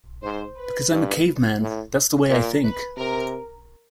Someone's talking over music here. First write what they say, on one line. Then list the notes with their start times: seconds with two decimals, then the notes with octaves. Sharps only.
Because I'm a caveman -- that's the way I think.
0.23 G#2 C5
0.57 B4
0.92 G2
1.61 A2
2.29 A#2 A#4
2.64 B4
2.97 C3 A#4